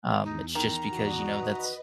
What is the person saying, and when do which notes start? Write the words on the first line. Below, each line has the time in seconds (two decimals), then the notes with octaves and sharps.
Um, it's just because, you know, that's
0.23 E2 D#4
0.55 D#3 A#5
0.92 E2 F#4 D5 D#6
1.26 B4 D#5